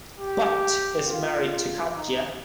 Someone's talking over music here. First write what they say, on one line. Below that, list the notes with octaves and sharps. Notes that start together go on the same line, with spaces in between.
Butt is married to Katja.
G4
F4
D#4